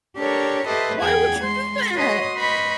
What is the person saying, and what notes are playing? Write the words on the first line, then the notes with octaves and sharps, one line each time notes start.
Why would you do that?"
D4 G4 A4 A#4 C#5 C#6
G4 A4 B4 C5 D#5 E5
E2 G#4 F#5 G5 G#6
G#3 C6
F#4 B4 C#5 D#5 C6 D#6
B4 C5 D#5 B5 C#6